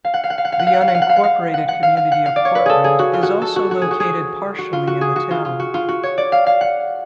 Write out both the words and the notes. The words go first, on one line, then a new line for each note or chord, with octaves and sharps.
The unincorporated community of Portland is also located partially in the town.
F5
F#5
F5
F#5
F5
F#5
F5
F#5
F5
F#5
F5
F#5
F5
F#5
F5
F#5
F5
F#5
F#5
F5
F5
F#5
F5
D5
C#5
B4
G#4 A4
G#4
F#4
F4
F#4
A4
F#4
F#4
G#4
F#4
G#4
F#4
F4
F#4
G#4
F#4
F4
F4
F#4
F4
F#4
C#5
D5
F5
F5
F#5